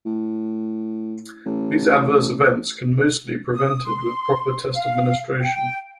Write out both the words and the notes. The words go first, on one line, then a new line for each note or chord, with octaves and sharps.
These adverse events can mostly prevented with proper test administration.
A2
A1
D#6
C6
F5
G5